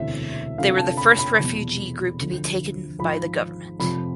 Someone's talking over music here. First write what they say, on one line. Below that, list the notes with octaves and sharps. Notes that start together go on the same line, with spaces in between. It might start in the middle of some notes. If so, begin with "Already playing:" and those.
They were the first refugee group to be taken by the government.
Already playing: E1 D2 C3 E3 E5
F1 F2 D3 F3 F5
A5
B5
B5
F1 E2 B2
D2 D3 F3
G#1 G#2 F3 B5
F1 F2 C3 F3 B5